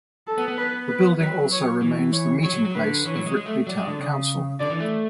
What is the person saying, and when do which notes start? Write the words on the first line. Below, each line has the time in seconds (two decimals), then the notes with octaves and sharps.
The building also remains the meeting place of Ripley Town Council.
0.27 A4
0.38 B3
0.48 B3
0.58 B4
0.89 B4
1.20 F#3 B4
1.51 C#5
1.82 E3
2.13 C#5
2.43 F#3 C#5
2.54 F#3
2.65 F#3
2.75 D3 B4
3.06 E3 C#5
3.16 F#3
3.26 G#3
3.37 G#3
3.46 A3
3.67 F#3 D5
3.77 G#3
3.87 D3
3.99 C#3
4.60 D3 D5
4.70 E3
4.80 A3